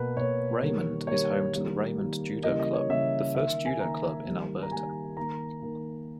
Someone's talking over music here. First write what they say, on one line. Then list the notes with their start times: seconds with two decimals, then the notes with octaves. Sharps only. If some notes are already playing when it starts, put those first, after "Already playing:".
Raymond is home to the Raymond Judo Club, the first Judo club in Alberta.
Already playing: B2 A#3 B4
0.17 B2 A#3 C#5
0.61 D#3 G3 A#3
1.07 D#3 G3 A#3 C#5
1.53 D#3 G3 A#3
1.98 D#3 G3 A#3
2.44 C#3 E3 G3 A#3 D#5
2.60 D#5
2.74 C#5
2.89 C#3 E3 G3 A#3 E5
3.35 D#3 A#3 E5
3.65 G#5
3.80 D#3 A#3 A#5
4.25 D#3 G3 A#3
4.63 A#5
4.71 D#3 G3 A#3 G#5
5.17 D#3 A#3 A#5
5.62 D#3 A#3